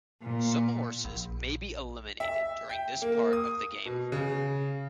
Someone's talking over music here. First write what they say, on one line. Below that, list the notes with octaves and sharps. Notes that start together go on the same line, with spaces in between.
Some horses may be eliminated during this part of the game.
A#2
A#1
E5
G5
A#3
D#6
B2
C#3